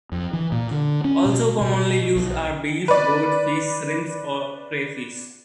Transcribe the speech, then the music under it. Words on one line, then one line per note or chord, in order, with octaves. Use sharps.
Also commonly used are beef, goat, fish, shrimps, or crayfish.
F2
E3
A#2
D3
C#4
B2
B2
B1
B4 D5